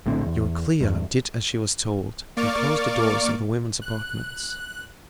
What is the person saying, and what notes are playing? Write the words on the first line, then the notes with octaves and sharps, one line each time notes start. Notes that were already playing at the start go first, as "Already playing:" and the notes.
Euryclea did as she was told and closed the doors of the women's apartments.
A#1 A2 D3 C4
E2
E2 G2
A#3 D5 C#6 D6 F6 A6
F#6